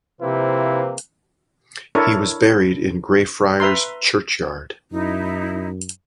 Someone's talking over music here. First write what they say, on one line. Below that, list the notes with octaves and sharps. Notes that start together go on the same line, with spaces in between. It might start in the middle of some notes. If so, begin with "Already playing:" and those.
He was buried in Greyfriars churchyard.
C3 F3 A#3 C4 E4 B4
D4 E4 A4 A#4 C#5
B4 E5 A#5 C6
F#2 D#4 E4